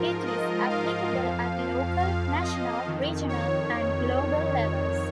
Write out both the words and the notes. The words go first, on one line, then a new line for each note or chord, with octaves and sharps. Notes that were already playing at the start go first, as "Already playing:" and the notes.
It is applicable at local, national, regional and global levels.
Already playing: G#2 F3 F4 A#4
D#5
F5
F2 F3
F5
D#5
F2 D#3
C#5